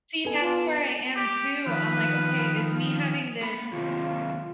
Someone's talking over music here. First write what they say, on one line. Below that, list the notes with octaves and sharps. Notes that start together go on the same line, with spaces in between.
See, that's where I am too, I'm like, okay, is me having this
B3 A4 G#5
F4
G4
D#3 F3 B4
A#3 B5
D#2 C3 F4